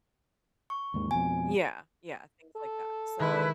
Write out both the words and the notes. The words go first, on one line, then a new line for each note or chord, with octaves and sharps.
yeah, yeah, things like that, so,
C#6
D#2 G#2 D#3
F2 B2 G#5
A4
D#3 G#3 E4 B4